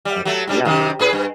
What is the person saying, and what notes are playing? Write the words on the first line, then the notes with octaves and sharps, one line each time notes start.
uh, yeah.
G3
F#3 A3
G#2 G3 D4
F#2 C3 D#3
A2 G#4 B4
G2